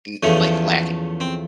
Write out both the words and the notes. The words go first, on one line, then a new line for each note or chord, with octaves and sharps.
n like, lacking.
E2 C#3 F3 A3 C#4
C4